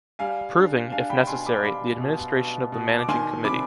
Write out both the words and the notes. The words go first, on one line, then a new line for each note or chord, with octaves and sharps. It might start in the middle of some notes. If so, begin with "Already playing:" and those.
Approving, if necessary, the administration of the Managing Committee.
G3 F5 G#5
D4
D4 F5 G#5
G5 B5
B2 G#5 C6
B5 D6
G3 B5 D6
B2
B2
B2
D6
D#3 G#5 C6
C3 B5 D6